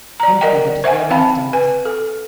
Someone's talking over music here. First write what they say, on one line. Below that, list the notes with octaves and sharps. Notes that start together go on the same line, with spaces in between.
Hence these obscure destinies.
D5 A#5
A#4 D5 D#5 F#5 G5
C5 E5 F#5 G#5
C4 F5 G5 A5 B5
B4 G#5
A4